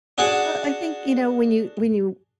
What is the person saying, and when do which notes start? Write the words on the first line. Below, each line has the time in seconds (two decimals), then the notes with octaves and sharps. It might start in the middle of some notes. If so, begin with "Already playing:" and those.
Uh, I think, you know, when you when you
0.18 D4 F#4 G#4 F#5 A5 D6